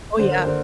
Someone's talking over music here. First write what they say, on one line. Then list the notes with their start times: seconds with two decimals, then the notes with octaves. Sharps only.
Oh, yeah.
0.19 D3 C5
0.31 A#4
0.44 D3 C5